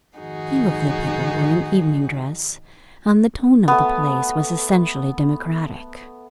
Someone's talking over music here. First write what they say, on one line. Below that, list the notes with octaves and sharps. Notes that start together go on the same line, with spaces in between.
Few of the people were in evening dress, and the tone of the place was essentially democratic.
F2 G#2 D#3 D#4 F#4 G#4
A3 B3